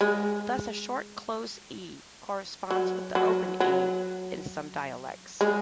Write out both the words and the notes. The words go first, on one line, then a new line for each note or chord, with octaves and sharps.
Thus, the short close "e" corresponds with the open "e" in some dialects.
G#3
F#3
F#3
F#3
G#3